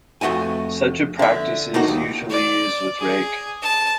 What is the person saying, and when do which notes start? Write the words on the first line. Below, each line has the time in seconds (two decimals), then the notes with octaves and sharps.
Such a practice is usually used with Rake.
0.21 F2 A3 F#4 E5 G#5
1.19 D3 E5
1.74 A3 A#3 D#4 F#4
1.88 D#2
2.30 D5
2.99 G#4
3.62 A5